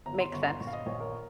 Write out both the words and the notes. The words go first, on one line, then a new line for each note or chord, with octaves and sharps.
makes sense.
G1 A#5
C6
G1 C#6
A#5
C6
A#1 C#6
F5
D#5
A#1 C#5
A#4